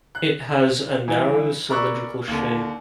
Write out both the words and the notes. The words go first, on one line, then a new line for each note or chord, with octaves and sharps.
It has a narrow cylindrical shape.
F#6
G2 E3
A#4 D5 B5 C#6 E6 F#6
D#2 D3